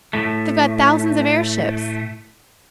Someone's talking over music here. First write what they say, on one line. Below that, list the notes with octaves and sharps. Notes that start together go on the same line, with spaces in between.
They've got thousands of airships.
A2 A3